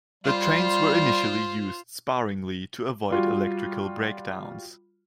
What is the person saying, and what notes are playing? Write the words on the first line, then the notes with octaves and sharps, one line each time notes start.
The trains were initially used sparingly to avoid electrical breakdowns.
G3 F4 C5
G3 F4 F#4